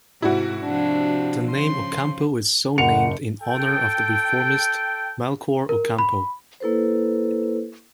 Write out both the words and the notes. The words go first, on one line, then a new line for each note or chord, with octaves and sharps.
The name "Ocampo" is so named in honor of the reformist Melchor Ocampo.
G#2 C3 E4 F#4
C3 F3 D4
C#3 F3 C6
F#1 F#5 C#7 F7
A4 G5
A#4
B5
A#3 E4 A4 B4 C5